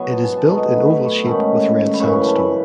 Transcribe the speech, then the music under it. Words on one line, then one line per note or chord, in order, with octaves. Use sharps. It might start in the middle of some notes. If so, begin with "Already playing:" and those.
It is built in oval shape with red sandstone.
Already playing: B2 F#3 B3 C#6
A5
G#5
A5
B2 A3 D#4
B5
C#6
G#2 D#3 A3 C#4 B5
B5
F#2 C#3 E3 C#6
C#6
G#5 A5
B5